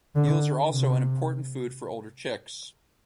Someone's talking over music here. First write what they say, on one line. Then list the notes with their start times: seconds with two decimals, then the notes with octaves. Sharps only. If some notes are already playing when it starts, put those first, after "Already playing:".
Eels are also an important food for older chicks.
0.15 D3
0.69 C3